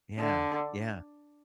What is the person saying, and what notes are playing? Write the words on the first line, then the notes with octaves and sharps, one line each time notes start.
Yeah, yeah.
D3